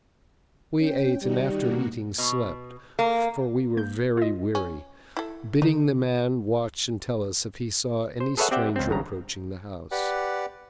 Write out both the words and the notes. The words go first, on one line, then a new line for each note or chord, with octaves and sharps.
We ate, and, after eating, slept, for we were very weary, bidding the man watch and tell us if he saw any stranger approaching the house.
C#4 G5
D#3 G3 D#4 F#4
B2 A#3 F#4
B2
A#3
A#3 G6
F4 D#5
C#4
E4 A4
D3 D#4
C5
G#4 A4 B4 C#5 E5 F#5
C4 G4 D5 E5 F#5 G5
C#2 C4
G#1 G2 C#3 A#5
G4 B4 D5 F#5